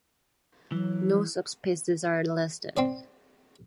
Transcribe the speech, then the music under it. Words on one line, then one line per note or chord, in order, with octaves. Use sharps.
No subspecies are listed.
E3 F#3
C4 D4 D5